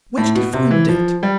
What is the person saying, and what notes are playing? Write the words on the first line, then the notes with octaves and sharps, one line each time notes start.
Where did he find it?
A2
B2
C3
E3
F3
G3